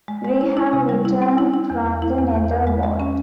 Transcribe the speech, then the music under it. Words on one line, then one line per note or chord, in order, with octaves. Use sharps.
We've returned from the netherworld...
G#3
G#3
E4
E4
C3
G3
E4
C4
E4
E4
E2
E2
E4
E2
E2
E2
G#3
G#3
C#4